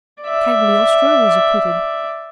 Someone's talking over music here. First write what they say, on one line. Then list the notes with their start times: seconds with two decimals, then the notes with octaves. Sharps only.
Cagliostro was acquitted.
0.22 D5 E5